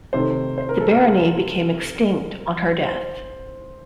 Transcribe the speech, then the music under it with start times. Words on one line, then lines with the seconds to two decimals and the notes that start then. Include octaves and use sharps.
The barony became extinct on her death.
0.13 C3 D#3 A3 C5
0.58 C5
0.69 A#4
0.80 A4
0.91 A#4
2.82 C5